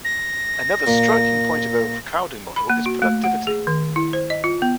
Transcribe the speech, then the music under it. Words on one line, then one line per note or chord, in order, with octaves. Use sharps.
Another striking point of overcrowding model is productivity.
A#6
A#2
B5
A#3
F#4
A3
F#5
G#4
D#3
E4
C5
D#5
F4
B3